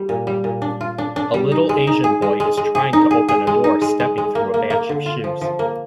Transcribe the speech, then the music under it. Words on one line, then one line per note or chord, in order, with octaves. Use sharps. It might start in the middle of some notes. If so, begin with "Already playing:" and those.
A little Asian boy is trying to open a door stepping through a batch of shoes.
Already playing: G3
A#2
G3
A#2
D4
F4
D4
D4
G3
D#4
G#3
D#4
G#4
G#3
G#3
G#3
G#4
D#4
G#4
G#4
G#3
D#4
G#3
G#3
G#3
A#3
A#3
A#3
D3
F4
F3
F3
A#3